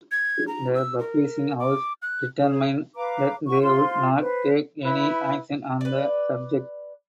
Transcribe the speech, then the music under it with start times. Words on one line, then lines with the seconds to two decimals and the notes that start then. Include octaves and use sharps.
The publishing house determined that they would not take any action on the subject.
0.12 G#6
0.48 A#5
0.75 E6
0.99 A#4
1.59 D6
2.02 F#6
2.40 G#4
2.95 B4 F5 A#5 D6
3.46 F#4 C#6
3.61 F4 C5 C6
4.21 B4 C5
4.84 E4 B4
5.81 B4 D5